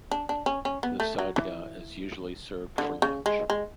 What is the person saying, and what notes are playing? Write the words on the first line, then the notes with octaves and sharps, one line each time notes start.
The sadhya is usually served for lunch.
D4
D4
C#4
C#4
B3
A3
F#3
E3
D3
C#3
G#3
G#3